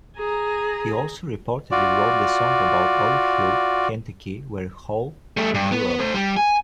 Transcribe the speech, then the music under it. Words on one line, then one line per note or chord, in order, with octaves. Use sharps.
He also reportedly wrote the song about Olive Hill, Kentucky, where Hall grew up.
G#4 A#5
F4 F#4 D5
G3 A3
G2
B3
A3 C5
G3
G#5